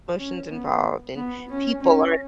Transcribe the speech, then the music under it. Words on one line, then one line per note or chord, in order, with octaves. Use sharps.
promotions involved, and people are
C#4
B3
B3
C#4
C#4